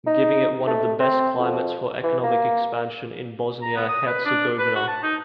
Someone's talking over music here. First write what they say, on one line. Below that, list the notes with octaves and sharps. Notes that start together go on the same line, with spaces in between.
Giving it one of the best climates for economic expansion in Bosnia-Herzegovina.
D#4
A3
C4
F2
E3
A#3
A#5
B3
D#6
B4
D4
B4
F#4
A5
D#4